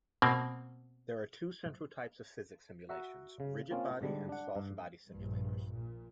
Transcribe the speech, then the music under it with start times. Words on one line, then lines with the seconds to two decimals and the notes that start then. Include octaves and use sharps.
There are two central types of physics simulations; rigid body and soft-body simulators.
0.22 B2 A#3 C4
2.89 F#4 E5 F#5 A#5
3.40 C#3
3.71 A#3 C4 C#4 F4
4.01 G#2 D3 G3
4.29 D4 F#5
4.55 G2
5.10 A#1 G2
5.73 A#2